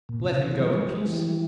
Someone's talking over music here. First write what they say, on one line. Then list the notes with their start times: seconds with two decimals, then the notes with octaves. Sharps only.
Let him go in peace.'
0.09 A#2
0.20 C3
0.31 C#3
0.46 C3 E3
0.59 E3 G3
0.73 F3 G#3
0.87 G3
0.97 G#3
1.06 E3 G3